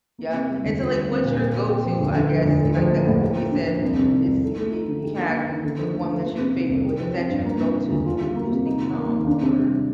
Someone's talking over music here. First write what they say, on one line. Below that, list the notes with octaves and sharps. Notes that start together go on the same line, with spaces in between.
yep. And so, like, what's your go to, I guess, you like that I know you said it's y y you had the one that's your favorite, but is that your go to mood boosting song, or?
A#3
C3
G3
D2
F4
G3
C4
A#2
A#4
C4
G4
F3
D2
D3
F3
D2
A2
F3
A#3
A2
G4
A#3
D4
F3
C2
C3
D#3
C2
A4
A3
D#4
D3
G4
A#3
D#4
D#3
D3
F3
A3
D3
A#3
C3
D#3
C2
G4
F3
C4
G2
A#3
C3
D#3
D2
F4
G3
A#3
C3
D#4
D#3
A#3
D#2
D4
C3
G3